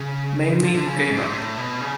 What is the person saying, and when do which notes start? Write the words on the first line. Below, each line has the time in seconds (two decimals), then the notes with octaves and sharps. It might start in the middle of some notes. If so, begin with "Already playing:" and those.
Mamie gave up.
Already playing: C#3
0.63 D3
0.75 D3
0.86 C#3
1.10 G#2
1.17 A2
1.24 G#2
1.33 A2
1.58 B2
1.81 C#3